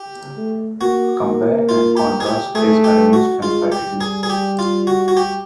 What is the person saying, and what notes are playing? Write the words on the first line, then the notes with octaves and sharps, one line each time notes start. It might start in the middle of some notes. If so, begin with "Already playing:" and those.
Compare and contrast is arranged emphatically.
Already playing: G4
A3
A#3 F#4
A#3
F4
G4
G#4
G4
A3 G#4
G4
F#4
G#3 F4
G4
G3
G#4
G#4
G4
F4
F#4
F#4
G4